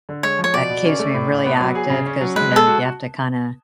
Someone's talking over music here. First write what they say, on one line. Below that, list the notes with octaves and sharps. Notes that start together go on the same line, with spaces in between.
it keeps me really active, 'cause, you know, you have to kinda,
D3
G#3 C#5
F3
C#5
B2 D5
B2
C#4
A3
A2
A2
B3
F#3
G#4
C#3
C#4
F#3
G#3 B4
G#3 A4
F#4